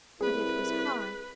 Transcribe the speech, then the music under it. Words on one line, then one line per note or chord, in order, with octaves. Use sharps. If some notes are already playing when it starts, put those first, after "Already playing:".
But it was hard.
C2 E4 G#4 A#4 B4